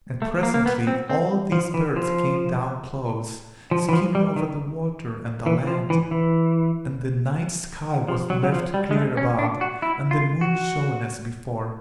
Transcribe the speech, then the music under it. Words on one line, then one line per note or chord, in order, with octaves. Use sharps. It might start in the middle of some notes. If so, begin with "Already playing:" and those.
And presently all these birds came down close, skimming over the water and the land; and the night-sky was left clear above, and the moon shone as before.
A3
A#3
A#3
B3
C4
C4
F3
E3
F3
F3
E3
F3
G3
D#3
E3
F3
E3
E3
F3
F#3
F#3
F3
G3
G#3
A3
C#4
D4
F#4
E4
F4
F#4